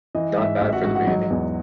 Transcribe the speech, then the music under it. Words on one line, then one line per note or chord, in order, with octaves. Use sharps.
Not bad for the beginning.
E3 D#5
G#2 E5
A1 E5
F#4 F#5
G#2 F#4 F#5
F#4 F#5
F#3 D#5
E2